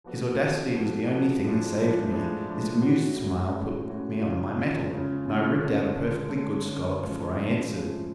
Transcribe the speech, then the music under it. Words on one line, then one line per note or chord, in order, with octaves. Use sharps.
His audacity was the only thing that saved me: his amused smile put me on my mettle, and I ripped out a perfectly good scallop before I answered.
F3 B3 F#4 A4
F3 B3 F#4 A4
F3 B3 F#4 A4
F3 B3 F#4 A4
A2 F3 G#3 D4
A2 F3 G#3 D4
A2 F3 G#3 D4
A2 F3 G#3 D4
A2 G#3 C#4 F#4
A2 G#3 C#4 F#4
A2 G#3 C#4 F#4
A2 G#3 C#4 F#4
C#3 G#3 C#4 F4
C#3 G#3 C#4 F4
C#3 G#3 C#4 F4
C#3 G#3 C#4 F4
D3 G#3 C#4
D3 G#3 C#4
D3 G#3 C#4
D3 G#3 C#4
A2 F3 G#3 C#4 F4
A2 F3 G#3 C#4 F4
A2 F3 G#3 C#4 F4